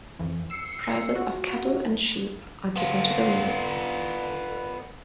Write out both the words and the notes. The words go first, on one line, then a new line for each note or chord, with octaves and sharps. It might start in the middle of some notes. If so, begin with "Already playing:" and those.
Prizes of cattle and sheep are given to the winners.
F2 E3
E6 C7 C#7
F4 F#4
B3 F4